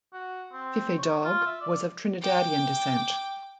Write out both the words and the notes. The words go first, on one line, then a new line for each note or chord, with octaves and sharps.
Phife Dawg was of Trinidadian descent.
F#4
C4
C#5
F4
E5
D5
G5 D6